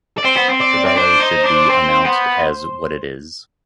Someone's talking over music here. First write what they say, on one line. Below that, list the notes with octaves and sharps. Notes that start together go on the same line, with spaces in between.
The ballet should be announced as what it is.
D5
C4 C5
B3
C4
D5
D5
D4 C5
D#4
D4
C4
B3